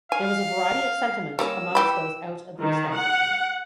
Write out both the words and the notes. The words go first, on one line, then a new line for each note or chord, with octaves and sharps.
There was a variety of sentiments amongst those out of the establishment.
F5 G#5
G3 A#3 C#4 E6
E3 G4 B5
D#3
F#5